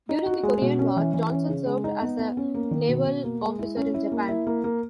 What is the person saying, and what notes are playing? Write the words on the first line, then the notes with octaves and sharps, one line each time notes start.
During the Korean War, Johnson served as a naval officer in Japan.
D#4
F#4
G#3
B2
C#4
E3
E3
C#4
C#3
G#3
D#4
B3
B3
C#4
A#3
D#3
B2
B2
A#3
G#3
E4
C#4
E4
A#3
E4
A#3
A#3